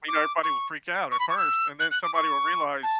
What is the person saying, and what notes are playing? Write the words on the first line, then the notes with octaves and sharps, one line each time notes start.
We know everybody will freak out at first, and then somebody will realize,
D6
C#6
C#6
B5
C#6
E6
F#6
F#6
D6
C#6
A5